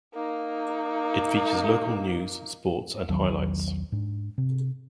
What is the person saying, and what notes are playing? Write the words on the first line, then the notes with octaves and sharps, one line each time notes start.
It features local news, sports, and highlights.
A#3 D#4
B1 E2 D#3 F#3
G#2 D4
C3